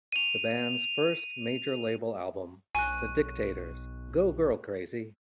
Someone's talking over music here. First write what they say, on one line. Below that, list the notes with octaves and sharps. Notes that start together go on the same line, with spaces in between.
The band's first major-label album, The Dictators Go Girl Crazy!
D#7 F7
B1 G#5 C#6 F#6 D#7